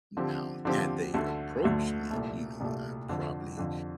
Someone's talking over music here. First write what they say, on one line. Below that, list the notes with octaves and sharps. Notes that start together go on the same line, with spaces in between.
now had they approached me, you know, I probably
D3 F3 C4 G4
D3 F3 C4 G4
D2 D3 A3
D2 D3 A3
C2 A#2 A3
C2 A#2 A3
F2 D3 F3
F2 D3 F3